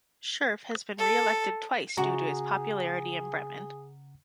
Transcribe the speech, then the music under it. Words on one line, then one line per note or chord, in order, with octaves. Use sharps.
Scherf has been re-elected twice due to his popularity in Bremen.
A4
C#3 F#4 G#4 F#5 A#5